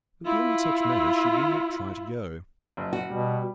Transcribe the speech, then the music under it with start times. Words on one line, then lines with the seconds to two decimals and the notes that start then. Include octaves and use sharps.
But beyond such matters she did not try to go.
0.25 E4 F4
2.77 F#1
2.93 F#4
3.10 B2 G3